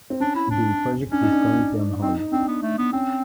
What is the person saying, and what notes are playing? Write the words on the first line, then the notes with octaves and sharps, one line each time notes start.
The project is currently on hold.
C4
C#4 D4
E4
D4
C#4 D4
D#4
D4
C4 D#4
D#4
C4 D4
B3
A3
B3
C4 C#4